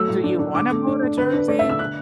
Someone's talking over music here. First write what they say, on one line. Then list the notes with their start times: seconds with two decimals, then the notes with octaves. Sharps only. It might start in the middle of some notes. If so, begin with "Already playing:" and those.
Do you wanna move to Jersey?
Already playing: F#3 A3 E6
0.08 A2
0.24 D4
0.39 D4
0.55 D3 D6
0.71 A3
0.87 D4
1.03 D4
1.17 D3 B4
1.33 D4 B4
1.48 A3 D5
1.59 E5
1.64 D3
1.69 E6
1.79 D3 F#6